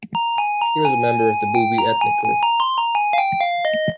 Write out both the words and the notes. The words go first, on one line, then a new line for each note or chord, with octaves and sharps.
He was a member of the Bubi ethnic group.
A#5
G#5
A#5
G#5
G5
A#5
G#5
G#5
A#5
C6
A#5
G#5
F5
G5
F5
D#5